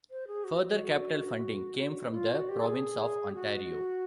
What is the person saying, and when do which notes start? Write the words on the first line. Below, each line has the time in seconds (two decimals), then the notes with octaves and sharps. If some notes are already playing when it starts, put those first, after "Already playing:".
Further capital funding came from the Province of Ontario.
0.11 C5
0.27 G#4
0.44 F#4
2.11 E4
2.15 F4
2.32 F#4
2.49 G4
2.60 A4
2.66 G#4
3.29 G4
3.35 F#4